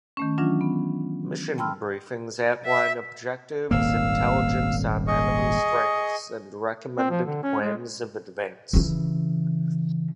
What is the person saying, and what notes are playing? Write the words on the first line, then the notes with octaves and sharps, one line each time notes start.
Mission briefings outline objectives, intelligence on enemy strengths and recommended plans of advance.
D#3 A3 C#4
E3 F#3 C#4 D4 F4
B3
G5 A5 B5 C6 E6 F6
E5
D#1 G#1 A#3 F5 E6
G#4 D#5 C#6
C4
F3
D3
C#4
G#3
C#3 E3